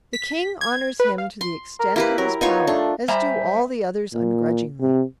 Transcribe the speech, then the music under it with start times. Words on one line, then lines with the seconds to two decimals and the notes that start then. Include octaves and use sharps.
The King honours him to the extent of his power, as do all the others ungrudgingly.
0.13 B6
0.61 G#6
1.00 B4
1.18 F5
1.41 C6
1.79 A#4
1.96 A#3 E4 G4 B4
2.18 F#3 A#4
2.41 B3 D#4 F4 C#5
2.67 A3 D4
3.08 G3 C5 E5 G#5 A#5
4.14 A#2
4.81 C3